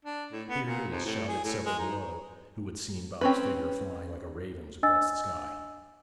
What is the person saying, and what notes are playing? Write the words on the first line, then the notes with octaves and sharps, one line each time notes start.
'Here he is!' shouted several below who had seen Bob's figure flying like a raven's across the sky.
D4
A2
B3
A#2
F2
A2
G#4
A2
G#3
D#4
C4 C#4 B4
D4 D#5 G#5 E6 A6